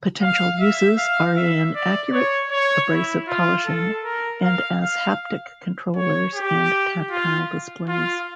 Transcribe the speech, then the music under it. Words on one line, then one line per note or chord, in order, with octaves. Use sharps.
Potential uses are in accurate abrasive polishing and as haptic controllers and tactile displays.
F5
E5
F5
E5
D5
C#5
C#5
E4
F4
A4
A#4
F5
F5
C#5
G4
F4
F4